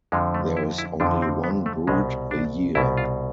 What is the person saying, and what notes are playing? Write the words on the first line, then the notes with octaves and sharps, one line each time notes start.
There is only one brood a year.
F2 D3 F3 G#3
A3
E4
E4
F2 D3 F3 D4
C4
B3
A3
C2 B2 G#3
D4
C2 B2 E4
F4